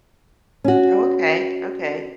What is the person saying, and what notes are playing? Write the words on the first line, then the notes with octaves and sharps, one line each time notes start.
Oh, okay, okay.
C#4 F#4